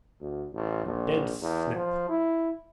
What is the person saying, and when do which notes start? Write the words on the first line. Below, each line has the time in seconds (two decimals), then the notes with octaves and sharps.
A dead snip.
0.21 D2
0.53 A1
0.85 A#1
1.42 E2
1.75 F3
2.09 E4